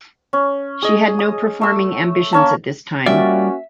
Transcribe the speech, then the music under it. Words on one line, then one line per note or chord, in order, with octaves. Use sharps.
She had no performing ambitions at this time.
C#4
G#4 D#5
D#6
A3 E6
A#3 C#4 A5
G3 A#3 C#4 F4 F#4 D5 E5